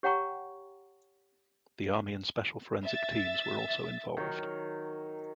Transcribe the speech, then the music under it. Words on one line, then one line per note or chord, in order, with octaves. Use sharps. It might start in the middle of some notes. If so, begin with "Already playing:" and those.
The Army and special forensic teams were also involved.
G4 C#5 F#5 G5 A#5 C#6
E5 A6
D#3 F#3